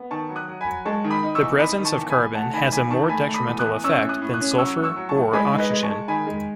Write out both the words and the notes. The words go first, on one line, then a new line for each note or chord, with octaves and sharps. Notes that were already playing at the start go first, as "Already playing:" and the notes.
The presence of carbon has a more detrimental effect than sulfur or oxygen.
Already playing: B3
D#3 A5 C#6
F#3
D#6 F#6
F#3
G#5 B5
F#3
G#3 A5 C#6
D#3
B5 D#6
D#4
C#6 E6
E2
D#4 B5 D#6
D#3
A5 C#6
E2
G#5 B5
E2
A3 F#5 A5
D#3 G#5 B5
E2 G#5 B5
D#3 A5 C#6
A3 G#5 B5
A3
B5 D#6
E2
D#6 F#6
E2
C#4 C#6 E6
A2
D#6 F#6
A2
D#6 F#6
C#4
D#6
F#3 C#6 E6
A2
C#6 E6
F#3
A5 C#6
A2
G#3 G#5 B5
D#4
B4 D#5
G#3
A5 C#6
G#3
D#3 G#5 B5
G#3